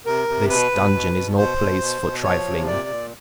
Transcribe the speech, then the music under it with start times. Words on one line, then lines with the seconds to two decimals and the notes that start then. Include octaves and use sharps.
This dungeon is no place for trifling.
0.06 C3 A#4
0.28 C3
0.49 B2 B4
0.71 B2
0.92 B2
1.14 B2
1.37 B2 C5
1.58 B2
1.80 B2
2.02 B2
2.23 F3 C#5
2.46 C3
2.67 A#2 D5
2.88 A#2